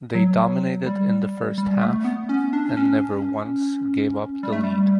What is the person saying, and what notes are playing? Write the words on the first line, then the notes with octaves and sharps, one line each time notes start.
They dominated in the first half and never once gave up the lead.
F#3
G3
G3
A3
B3
C#4
D4
D4
C#4
G3
A3
G3